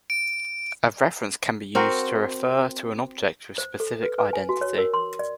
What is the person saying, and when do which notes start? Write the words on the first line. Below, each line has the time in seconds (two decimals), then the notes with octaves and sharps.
A reference can be used to refer to an object with a specific identity.
0.10 D7
1.75 C4 F#4 A#4
3.58 C5
3.80 A4
4.03 B4
4.18 B4
4.33 G#5
4.49 F#4
4.61 C#5
4.78 A#4
4.94 C6
5.19 D5